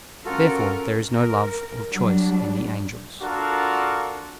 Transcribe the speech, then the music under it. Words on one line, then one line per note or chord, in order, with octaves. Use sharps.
Therefore there is no love of choice in the angels.
C#4 F4 F#4 A4 A#4
A#4
F#3 G3 D4
D4 F4 F#4 A4 A#4